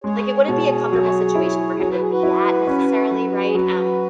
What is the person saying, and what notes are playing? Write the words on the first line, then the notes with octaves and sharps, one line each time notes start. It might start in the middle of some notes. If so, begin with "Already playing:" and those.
like, it wouldn't be a comfortable situation for him to be at necessarily, right, um,
G#3 G#4 C#5
B2
F#3
E4
F#3 C#5
B4
G#4
F#4 B4
E4
C#4
F#3
G#4
F#3 F#4 B4